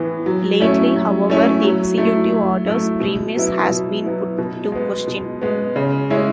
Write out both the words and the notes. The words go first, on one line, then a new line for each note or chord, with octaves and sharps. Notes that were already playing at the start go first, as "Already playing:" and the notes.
Lately, however, the Executive Order's premise has been put to question.
Already playing: A2 E3 B3
F#3
A3 C#4 E4
F#3
A3 C#4 E4
F#3
A3 E4
F#3
A3 E4
B2
F#3 B3 E4
B2
F#3 B3 E4
B2
G#3 B3
B2
G#3 B3
C#3
G#3 C#4 E4